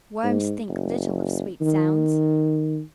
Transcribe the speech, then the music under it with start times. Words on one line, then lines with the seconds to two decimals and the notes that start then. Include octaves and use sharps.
Worms think little of sweet sounds.
0.23 G#2
0.69 F#1
1.61 D#3